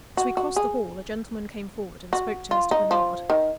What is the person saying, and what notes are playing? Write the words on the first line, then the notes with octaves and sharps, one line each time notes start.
As we crossed the hall, a gentleman came forward, and spoke to Mr. Bernard.
F#4
F#4
G#4
F#4
F4
D#4
F3
D#3